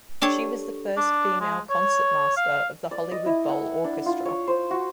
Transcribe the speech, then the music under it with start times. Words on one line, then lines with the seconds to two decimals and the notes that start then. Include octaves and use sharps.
She was the first female concertmaster of the Hollywood Bowl Orchestra.
0.21 D4 G4 A4 C#5
0.97 D4
1.40 G#3
1.70 C#5
2.37 F5
2.91 D5
3.11 D#5
3.26 E4
3.49 F#5
3.84 D4
4.06 F4
4.25 C#5
4.47 C5
4.71 F#4